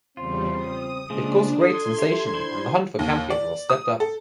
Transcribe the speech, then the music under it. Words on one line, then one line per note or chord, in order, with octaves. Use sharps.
It caused great sensation, and the hunt for Campion was stepped up.
E2 C#3 G3 C4 F4
D#6
C#3 F3 G#3 A#3 D4
A4 C6 D#6 G#6
G4 E5
D4 E4 C5
D#2
D5
D#6
A4